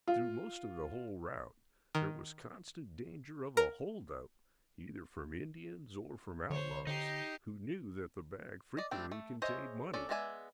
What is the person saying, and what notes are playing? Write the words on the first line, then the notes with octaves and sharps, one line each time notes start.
Through most of the whole route there was constant danger of a "hold up" either from Indians or from outlaws, who knew that the bag frequently contained money.
F4
D#3
A#4
D3 C5 C#5
D3 D#4 G4 C7
D5 D#5
G3 A3 C4 D4 G5
A3
G#4 C5 C#5 D#5 E5
C#4 D4 A4 D5
G#3 B3 D5 E5 G#5